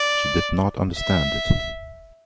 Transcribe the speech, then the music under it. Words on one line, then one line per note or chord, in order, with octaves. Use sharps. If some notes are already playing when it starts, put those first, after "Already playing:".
She did not understand it.
Already playing: D5
E5